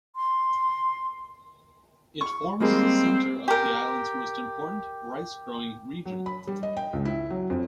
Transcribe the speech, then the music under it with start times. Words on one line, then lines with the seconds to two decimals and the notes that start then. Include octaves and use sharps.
It forms the center of the island's most important rice-growing region.
0.16 C6
2.21 C#6
2.60 G3 G#3 A#3 C4
3.48 G4 A#4
6.06 F#3
6.26 B5
6.47 G3
6.63 D#5
6.77 G5
6.93 C#2
7.05 E4
7.30 F#3
7.50 F2